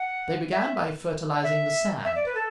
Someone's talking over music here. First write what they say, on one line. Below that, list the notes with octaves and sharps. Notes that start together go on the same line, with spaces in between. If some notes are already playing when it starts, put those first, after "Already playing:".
They began by fertilizing the sand.
Already playing: F#5
E5
E5
E5
D5
B4
A4